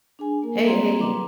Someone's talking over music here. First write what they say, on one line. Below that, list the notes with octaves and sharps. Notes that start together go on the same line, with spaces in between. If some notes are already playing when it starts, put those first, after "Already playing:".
Hey, hey.
D4 G#4 G#5
A#3 A#4
G3 A#3 C4 G#4 A#5 C6
F#3 B4 A#5 C6 D6